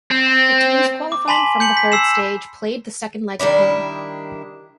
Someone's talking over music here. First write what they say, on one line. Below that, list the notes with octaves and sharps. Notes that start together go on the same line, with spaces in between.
The teams qualifying from the third stage played the second leg at home.
C4
D6
G#5 A5 B5 C6 B6 F#7
G6 C#7 F#7
B6
E6 C7 E7
D#3 G3 D4 E4